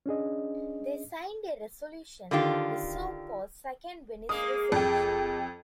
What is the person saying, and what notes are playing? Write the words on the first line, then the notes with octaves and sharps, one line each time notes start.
They signed a Resolution, the so-called "Second Venice Resolution".
C#4 D4 G#4 D#5
D3 D#3 F4 G4
G#3 A#3 G#4 D#6
F2 G5